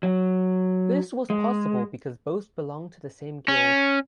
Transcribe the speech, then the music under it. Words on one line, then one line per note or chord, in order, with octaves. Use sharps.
This was possible because both belonged to the same guild.
F#3
G#3
C#4